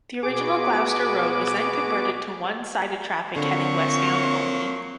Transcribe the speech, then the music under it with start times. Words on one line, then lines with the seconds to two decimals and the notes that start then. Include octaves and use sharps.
The original Gloucester Road was then converted to one sided traffic heading westbound only.
0.23 B2 F#4 G#4 B4 D6
3.36 D3 F3 F#3 A#3 C4 C#6